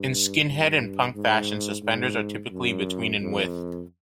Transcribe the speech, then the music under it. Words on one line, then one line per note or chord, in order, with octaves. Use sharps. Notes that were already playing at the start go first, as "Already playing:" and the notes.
In skinhead and punk fashion, suspenders are typically between in width.
Already playing: G2
G2
G#2
G#2
F#2
F2